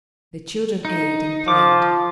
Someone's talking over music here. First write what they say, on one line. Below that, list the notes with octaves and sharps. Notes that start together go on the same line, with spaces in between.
The children ate and played.
D#4
F3 D6